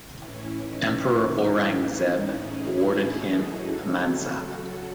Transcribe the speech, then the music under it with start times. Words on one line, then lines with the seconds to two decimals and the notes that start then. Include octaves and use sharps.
Emperor Aurangzeb awarded him a Mansab.
0.16 A2 E3 C#4 E4
0.60 D#4
1.94 C#4 E4
2.39 E4 G#4
2.83 F#4 A4
3.73 C#3 F#3